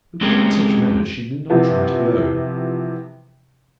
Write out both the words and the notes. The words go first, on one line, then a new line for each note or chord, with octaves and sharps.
But beyond such matters she did not try to go.
G#3 C4 C#4 G4 G#4 A#4
C3 E3 F3 B3